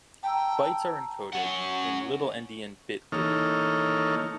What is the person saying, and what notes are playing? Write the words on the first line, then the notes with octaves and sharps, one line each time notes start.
Bytes are encoded in little-endian bit order.
G5 A5 A#5 E6
C#4 F#5
E3 A#3 D#4 A4 C#5 F6